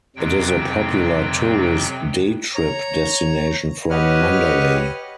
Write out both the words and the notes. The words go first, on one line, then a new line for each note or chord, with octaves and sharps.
It is a popular tourist day-trip destination from Mandalay.
F2 C3 F#3 G5
C#5 A#5
G4 B4 C#5 D#5 F#5 F6